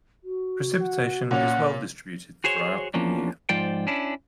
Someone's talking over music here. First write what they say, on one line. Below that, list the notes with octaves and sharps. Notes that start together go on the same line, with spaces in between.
Precipitation is well distributed throughout the year.
F#4
F#5
A#2 C#4 F#5 F7
F#4 G#4 C5 C#5
E2 F3 A#3 C#4 D4
G#2 F3 F4 C5 D5 G5
C#4 D4 E4